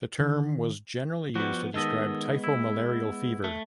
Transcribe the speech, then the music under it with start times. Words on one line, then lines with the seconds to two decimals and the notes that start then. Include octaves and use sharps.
The term was generally used to describe Typho-malarial fever.
0.20 D#3
1.35 F3 G3 B3 F#4
1.74 D#3 G#3 B3 A4 D#5
2.44 E4
3.44 A3